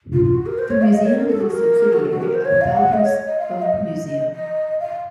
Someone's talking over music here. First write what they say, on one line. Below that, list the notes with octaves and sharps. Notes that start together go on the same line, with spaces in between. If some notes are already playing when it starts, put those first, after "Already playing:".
The museum is a subsidiary of Valdres Folkemuseum.
F4
F4
F#4
A#4
C5
C#5
F5
D#5
C#5
A#4
A4
F#4
A#4
F#4
A4
F#4
A#4
C5
C#5
F5
F#5
D#5
C#5
D#5
F5
D#5
D#5
F5